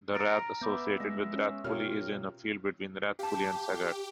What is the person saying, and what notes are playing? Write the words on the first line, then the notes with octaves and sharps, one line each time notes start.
The rath associated with Rathcoole is in a field between Rathcoole and Saggart.
A#5 F6 A6 D7
B3 E5 B5 D6 G6
G#3 A#6
C#4
B2 F4 G4 A#4 C#5 F6
G4 F5 A5